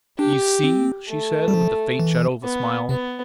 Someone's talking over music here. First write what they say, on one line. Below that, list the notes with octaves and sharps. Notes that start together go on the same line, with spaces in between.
"You see?" she said, with the faint shadow of a smile.
D4 G4
C4
A3
G3
F3
E3
B3
C3 B3